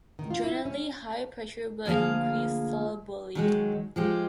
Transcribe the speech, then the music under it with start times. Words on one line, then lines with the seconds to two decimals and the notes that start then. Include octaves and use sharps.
Generally, higher pressure will increase solubility.
0.19 D#3
0.30 F4
0.44 E4
0.65 C#4
1.85 D2 F3 A#3 G#4 F5
3.35 D#3 F#3 G#3
3.96 F3 G#3 G4